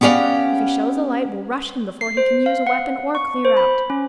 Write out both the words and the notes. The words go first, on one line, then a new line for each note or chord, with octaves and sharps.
If he shows a light, we'll rush him before he can use a weapon or clear out.
B3 C#4 G4 D5 F5 F#5
C7
C5
F5
F#5
C#6
C5
B5
C#4